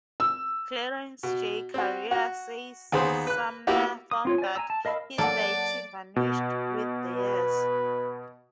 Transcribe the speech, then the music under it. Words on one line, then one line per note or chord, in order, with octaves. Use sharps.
Clarence J. Karier says, Sumner found that his deity vanished with the years.
E6
B2
C4 F#4
F#4
D#2 B3 G#4 C5
B4 F#6
A#3 B3 E4 F#4 G4
D#6
C4 F4 C#5
D5 G#5
G#5 A#5 E6
A5
A#4 D#5 F5 B5 E6
F#3 A#3 A4 D5 F#5 A5 D6
B2
B4